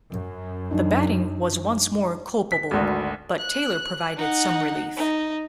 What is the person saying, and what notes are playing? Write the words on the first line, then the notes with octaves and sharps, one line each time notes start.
The batting was once more culpable, but Taylor provided some relief.
F#2
F#3 D4 D#4
B6
G#1 D2
F#6
D#4 F#5
D#4